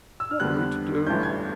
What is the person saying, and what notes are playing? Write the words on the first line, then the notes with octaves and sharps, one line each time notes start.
"What are we to do?"
E6
F6
F2 D3 G3 B3 F#6
G1 G2 E3 A3 C#4 G6
G#6